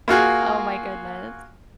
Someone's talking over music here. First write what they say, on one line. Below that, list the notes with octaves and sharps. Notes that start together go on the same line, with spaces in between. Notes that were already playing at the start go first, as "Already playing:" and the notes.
Oh my goodness.
A#3 F4 F#4 G#4